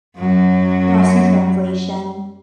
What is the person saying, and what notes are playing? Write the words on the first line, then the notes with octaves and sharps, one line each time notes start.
Lost In Translation.
F#2 F#3